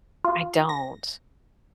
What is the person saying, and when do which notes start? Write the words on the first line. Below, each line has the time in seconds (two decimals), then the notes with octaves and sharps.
I don't.
0.25 F4
0.69 A#6